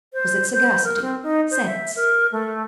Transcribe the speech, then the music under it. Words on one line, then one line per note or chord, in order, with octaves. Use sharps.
Was it sagacity?--sense?
C5
C5
A#4
C4
D#4
C5
E5
A#4
A3